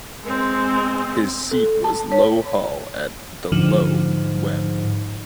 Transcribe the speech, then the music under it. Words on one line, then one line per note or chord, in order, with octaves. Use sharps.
His seat was Lowe Hall at The Lowe, Wem.
G#3 C4
A4
A5
C#5
G#2 D3 F3